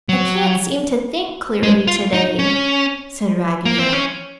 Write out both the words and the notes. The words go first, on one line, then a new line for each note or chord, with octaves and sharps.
"I can't seem to think clearly to-day," said Raggedy Ann.
F#3
G#3
F4
D#4
C#4
A#3
C4
C#4